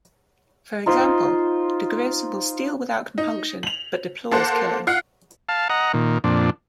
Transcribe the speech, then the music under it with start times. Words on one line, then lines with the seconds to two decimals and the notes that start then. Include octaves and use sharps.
For example, diGriz will steal without compunction, but deplores killing.
0.86 D#4 F4 C5
3.18 D#4
3.63 F7 F#7
4.31 A#3 A4 C5 F#5
4.87 F4 F5 F#5
5.49 F5 A5
5.70 D#5 F#5 A#5
5.94 A#2 D#3
6.24 F2 A#2 D4